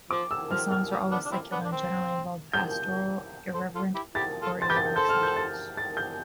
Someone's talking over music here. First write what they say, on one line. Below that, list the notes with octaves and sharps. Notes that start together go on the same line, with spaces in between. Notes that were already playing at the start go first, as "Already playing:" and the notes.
The songs were always secular, and generally involved pastoral, irreverent, or erotic subjects.
F3 D6
E6
F3 F6
F6
G3
B3 D4
D4
C4 E4
B3 D4
D4
C4
G6
A4 C5
F4 A4
E4 G4
E4 G4 A6
F4 A4
C5 A6
G4 B4 G6
A6
A4 C5 G6
F6
G6
A6
A6
G6